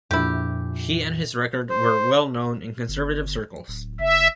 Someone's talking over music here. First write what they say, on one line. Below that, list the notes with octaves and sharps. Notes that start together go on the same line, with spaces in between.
He and his record were well known in conservative circles.
A#1 F2 A#2 E4 G4
C5
G1
D1
F#1 E5